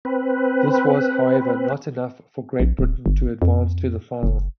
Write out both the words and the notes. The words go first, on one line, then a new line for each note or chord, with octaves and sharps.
This was however not enough for Great Britain to advance to the final.
C4 B4
A#1
D1
G1
F2
F#1